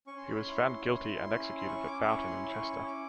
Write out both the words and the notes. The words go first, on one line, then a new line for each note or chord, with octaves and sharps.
He was found guilty and executed at Boughton in Chester.
C#4 C#6
C6
B5
C6
E4
E4
C#4
C6
C#4 C#6
D6
D6
E4 C#6
C6
C#4 C#6
C#4 D6